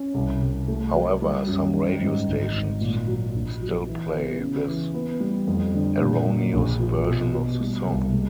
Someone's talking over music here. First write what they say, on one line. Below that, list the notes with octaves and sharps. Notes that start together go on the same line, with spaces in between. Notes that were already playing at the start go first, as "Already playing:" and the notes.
However, some radio stations still play this erroneous version of the song.
Already playing: C#4
C2
C2
A3
F#3
G3
F#2
D#3
G#2
G#1
G#1
A#2
F#3
A#1
F#3
E3
B3
C#3
E3
B3
G3
F2
D3
A#2
A#3
A#1
F3
B2
B2
G3
C2
G#3